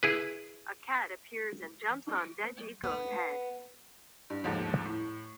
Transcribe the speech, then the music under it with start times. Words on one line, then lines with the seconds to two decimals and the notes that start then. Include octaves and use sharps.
A cat appears and jumps on Dejiko's head.
0.03 E4 G#4 B4
2.84 B3
4.30 G2
4.44 G1 D#2 G#2 F3 A4
4.85 A2